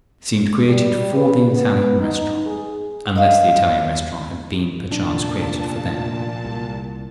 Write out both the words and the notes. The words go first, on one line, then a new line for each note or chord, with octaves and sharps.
They seemed created for the Italian restaurant, unless the Italian restaurant had been perchance created for them.
G3
B4
B3
D#4
G#4
D#5 F5
F1 A#2 D4 A5
C2